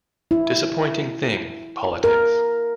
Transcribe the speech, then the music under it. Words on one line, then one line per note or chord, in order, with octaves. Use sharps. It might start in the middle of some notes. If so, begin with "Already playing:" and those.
Disappointing thing, politics.
E4
A#4